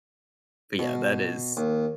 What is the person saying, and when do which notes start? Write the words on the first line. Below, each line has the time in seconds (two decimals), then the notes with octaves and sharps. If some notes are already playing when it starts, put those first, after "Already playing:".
but, yeah, that is
0.79 B2
1.57 D#2